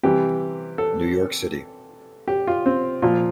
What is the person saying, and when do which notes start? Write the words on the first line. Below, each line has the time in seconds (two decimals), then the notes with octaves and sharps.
New York City.
0.03 C3 E3 G3 G4
0.78 A4
2.28 G4
2.47 F4
2.66 C4
3.02 A#2 F3 F4